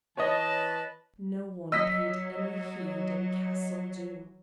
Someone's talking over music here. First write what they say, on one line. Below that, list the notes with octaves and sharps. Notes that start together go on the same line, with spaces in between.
No one paid any heed in Castle Doom.
E3 B4 C#5 D#5 A5
F#3 D#5 E6 B6